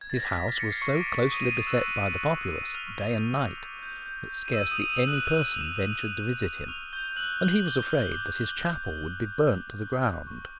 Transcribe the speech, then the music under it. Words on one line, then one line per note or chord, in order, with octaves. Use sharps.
His house was so closely beset by the populace, day and night, that scarcely any person ventured to visit him; and he was afraid that his chapel would be burned to the ground.
G#6
A6
A#6
D6 B6
F6
C#7
F6 C7
C#6 C#7
D6 F6 D7
D6
D#6 D#7
D6
E6 F#6 E7
F#6
F#6
C#6
F#6
F6 F7
C#6
G6
D6
D6
G6
G6
G6
D#7
D#6 E6 E7
D#6 D#7
G6
E6 E7
D#6
F#6 F#7
F6 G6 F7
G6
E6 E7
G6
E6
C#6
C#6
C#6 F6 F7
C#6 G6 G7
E6 F#6 F#7
D6 G7
D6 G6 G7
F6
D6
D6
D6
F#6
F#6
F#6
D6
F#6
F#6
C#6